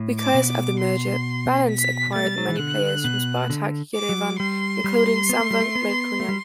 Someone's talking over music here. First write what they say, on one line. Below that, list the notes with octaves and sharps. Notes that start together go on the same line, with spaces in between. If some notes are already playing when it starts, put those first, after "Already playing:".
Because of the merger, Banants acquired many players from Spartak Yerevan, including Samvel Melkonyan.
Already playing: A2
D6
B2
D6
C6
B6
A3 A6
G3
F#3
E3
D3 F#6
B2
D3
D6
F#3
G3 C6
G3
B3
A3
G3
A3
B3
A3
G3